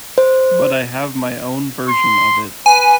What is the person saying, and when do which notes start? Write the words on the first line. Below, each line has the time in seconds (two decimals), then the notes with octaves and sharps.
But I have my own version of it.
0.18 C5
1.88 C6
2.66 B4 G#5